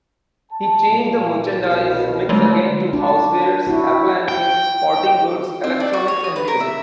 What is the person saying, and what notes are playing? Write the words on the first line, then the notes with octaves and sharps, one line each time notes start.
He changed the merchandise mix again to housewares, appliances, sporting goods, electronics, and music.
A5
A#2
C2 B2
D3 F#3 G#3 A3
D4
E4 F#4
G5
C4
D4
F#4
C#5
D#6
B4
A#4
E5